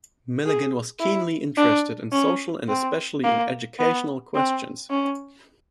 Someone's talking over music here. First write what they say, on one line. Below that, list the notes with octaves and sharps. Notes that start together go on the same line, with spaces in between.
Milligan was keenly interested in social and especially in educational questions.
G#4
E4
D4
C#4
C4
A#3
B3
C4
C#4